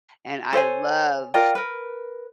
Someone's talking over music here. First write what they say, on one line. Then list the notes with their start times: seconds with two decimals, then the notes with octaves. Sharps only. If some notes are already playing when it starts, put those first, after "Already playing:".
and I love
0.53 A4 C5 C#5 G#5
1.34 F4 A#4 D5 G5
1.55 A#4 B4